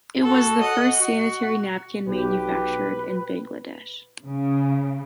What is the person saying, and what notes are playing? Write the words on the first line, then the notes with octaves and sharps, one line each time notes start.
It was the first Sanitary napkin manufactured in Bangladesh.
F#4 A4
D#5 F#5
F#4
B1 G4 B4
C#3